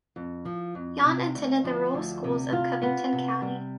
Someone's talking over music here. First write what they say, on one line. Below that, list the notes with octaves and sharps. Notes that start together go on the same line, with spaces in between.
Yawn attended the rural schools of Covington County.
F2
F3
F2
C3
D2
F3
D2
C3
F4
B3
C3
G3